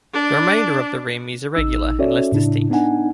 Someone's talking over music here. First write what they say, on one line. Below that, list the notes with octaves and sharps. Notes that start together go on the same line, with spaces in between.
The remainder of the rim is irregular and less distinct.
D4
A1 D#4 E6
C#4 F#4 A4 C#5 D5 E5
A2 C#3 D4 E4
B3 D4 D#4 F#5 G#5